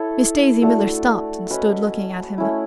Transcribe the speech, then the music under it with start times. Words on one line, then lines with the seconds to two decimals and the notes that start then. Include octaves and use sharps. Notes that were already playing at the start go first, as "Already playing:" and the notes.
Miss Daisy Miller stopped and stood looking at him.
Already playing: E4 A4 C#5
0.62 A3 D4 F#4 A4
1.50 C#4 F#4 B4 D#5
2.38 A3 C#4 E4